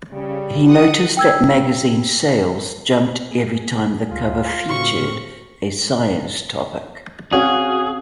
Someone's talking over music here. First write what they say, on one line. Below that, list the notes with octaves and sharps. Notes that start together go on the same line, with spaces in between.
He noticed that magazine sales jumped every time the cover featured a science topic.
C#3 G3
F#5 D#6
G5 E6 G#6
A#3 G#4
D2 F4
A2 C#3 C4 F#4 C#6 F6
C4 C#4 F#4 G#4 F5